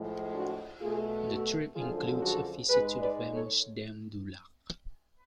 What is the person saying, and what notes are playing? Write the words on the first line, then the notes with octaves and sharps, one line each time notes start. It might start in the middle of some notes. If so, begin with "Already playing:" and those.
The trip includes a visit to the famous Dame Du Lac.
Already playing: A2 F3 G#3
D4 F#4
B2 A3 F4 G#4
F#4 A4
F#2 D3 F3 G#3 F4 G#4
F#4 A4
G#2 G#3 G#4 B4
B4 D5
A4 C#5